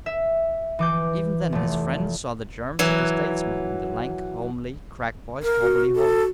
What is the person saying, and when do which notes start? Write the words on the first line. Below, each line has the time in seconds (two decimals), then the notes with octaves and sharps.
Even then his friends saw the germs of the statesman in the lank, homely, crack-voiced hobbledehoy.
0.06 E5
0.79 E3 D6 G6
1.52 F1 A3
2.79 E3 F#3
5.43 A#4
5.62 F#4
5.96 A4